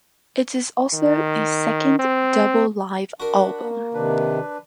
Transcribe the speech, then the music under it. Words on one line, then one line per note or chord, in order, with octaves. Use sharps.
It is also the second double live album.
D#3
C4
D4 F#4 A#4 F#5 B5
A#3
C3 D#3 D4 B4